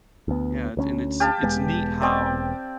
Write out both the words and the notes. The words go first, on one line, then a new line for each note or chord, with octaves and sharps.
Yeah, and it's it's neat how
D2 B3
D2 B3 C#4
G4 F5 A5
E1 G#3 B3
C4 D5